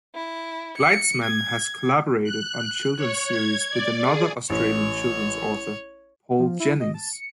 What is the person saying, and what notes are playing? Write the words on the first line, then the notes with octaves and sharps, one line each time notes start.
Gleitzman has collaborated on children's series with another Australian children's author, Paul Jennings.
E4
C#7
G#6
F#6
C#5
G#6
D5
G#4
A1 C#5
F3
E4
D#5
A5
C#7